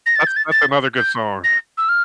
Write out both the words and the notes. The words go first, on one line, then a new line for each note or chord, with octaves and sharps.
That's that's another good song.
A#6
A6
G6
A6
A6
G6
A#6
E6
F6